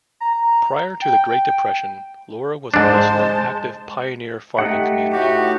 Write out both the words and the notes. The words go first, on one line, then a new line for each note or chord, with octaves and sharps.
Prior to the Great Depression, Laura was a bustling active pioneer farming community.
A#5
G5
G#2 G#3 D4 C5 A5
A3 D#4 G4 F#5
A2 F#4 G4